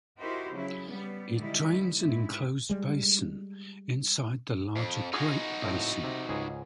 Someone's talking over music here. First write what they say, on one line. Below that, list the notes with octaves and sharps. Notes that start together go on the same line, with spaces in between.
It drains an enclosed basin inside the larger Great Basin.
D#4 E4 F#4 G4 A#4 C5
C#3 F#3 E4
G3 B3
D3 D#3 G3 G#3 D#4 E4
G#2 E4
G3 G#3
F2
D#4 F4 F#4 G#4
A2 C4
C3
C#2 G#2 G#4